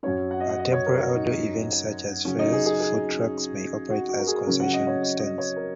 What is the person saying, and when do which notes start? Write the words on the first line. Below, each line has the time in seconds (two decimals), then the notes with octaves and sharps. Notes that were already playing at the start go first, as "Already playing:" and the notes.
At temporary outdoor events such as fairs, food trucks may operate as concession stands.
0.03 F#2 F#3 C#4 C#5
0.31 F#5
0.40 D#5
0.49 F#5
0.59 D#5
0.72 C#5
0.86 A#4
1.00 F#4
1.14 D#4
2.25 C#3 F#3 C#4
2.39 D#4
2.53 G#4
2.66 G#4
2.80 G#4
3.90 F#4
4.09 F#4
4.19 A#4
4.27 G#4
4.46 C#3 F#3 C#4 A#4
4.60 F#5
4.73 D#5
4.87 C#5
5.02 D#5
5.19 D#5
5.38 C#5
5.56 A#4